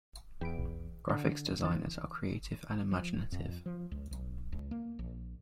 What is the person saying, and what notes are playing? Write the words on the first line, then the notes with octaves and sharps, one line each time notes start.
Graphics designers are creative and imaginative.
E2 G5 B5 D7
A#1
D3
E3 C5 A6
F3
F2
F3
C#2
B1
C#2
A#3
A#1